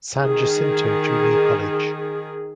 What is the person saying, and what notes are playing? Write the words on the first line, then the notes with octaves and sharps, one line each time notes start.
San Jacinto Junior College.
D#3 G#4